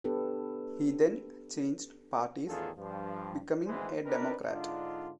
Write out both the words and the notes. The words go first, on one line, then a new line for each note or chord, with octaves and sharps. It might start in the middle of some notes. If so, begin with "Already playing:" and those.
He then changed parties, becoming a Democrat.
B3 D4 G4 A4 B4
E2 A2 D#3 F4 G#4 A4
G2 F3
G#1 D2 E3 G#3 B4 C5
C4 D4 D#4 A#4 B4
G#2 D3 D4 D#4 F4